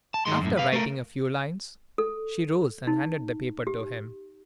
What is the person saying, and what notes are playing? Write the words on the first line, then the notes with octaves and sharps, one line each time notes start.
After writing a few lines, she rose and handed the paper to him.
A5
G#2 D#3 G#3 C6
F#2 A2
B4 F5
A3 A#4
A4
D#4
G4